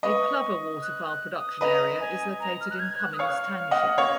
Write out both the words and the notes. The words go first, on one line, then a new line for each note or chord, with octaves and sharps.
A plover waterfowl production area is located in Cummins Township.
B4 D#5 C#6
F#6
F#6
D#6
B4 D#5 A#5
G#5
A#5
F6
F#6
G#6
F#6
D#6
C#5 F5 F6
D#5 F#5
C#5 F5